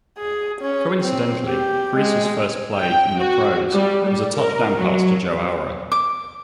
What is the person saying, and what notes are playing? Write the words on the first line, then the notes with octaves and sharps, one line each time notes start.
Coincidentally, Griese's first play in the pros was a touchdown pass to Joe Auer.
G#4
C#4
C4
G4
G#3
G5
F#4
G3
G3
A#4
F#3
D6